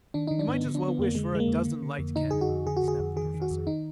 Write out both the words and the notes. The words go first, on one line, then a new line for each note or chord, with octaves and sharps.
"You might as well wish for a dozen light cannon!" snapped the Professor.
D#3 D4
D#3 D#4
D4
G#2 B3
D3
D4
D3
B3
F2 A#3
D3 G#3
D3 G#3
A#3
F2
D3
D3
F2
D3 D#4
D3 G#4
F#4
F2
D3 G#4
F#4
D3 G#4
F2
D#3 G#4
D#3
F#4
F2
D#3 D#4